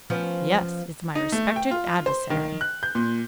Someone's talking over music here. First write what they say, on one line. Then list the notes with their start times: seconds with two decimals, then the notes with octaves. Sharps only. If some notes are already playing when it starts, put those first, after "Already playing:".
"Yes; it's my respected adversary."
0.10 F3 B3 C#4
1.15 D#4
1.32 A3
1.56 G5
1.71 F4
2.06 C5
2.30 D#3
2.61 F#6
2.83 G6
2.95 A#2